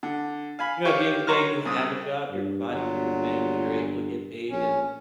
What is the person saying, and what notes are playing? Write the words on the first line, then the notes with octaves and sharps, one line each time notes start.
you know, at the end of the day, you have a job, you're providing for your family, you're able to get paid and
D3
F5 G#5 B5
G4 C#5 F5 G5
F#3 C#5 A#5 C6 F6
C2 C#3 D#6
G2
G1 A#2 F#3
A#1 C#4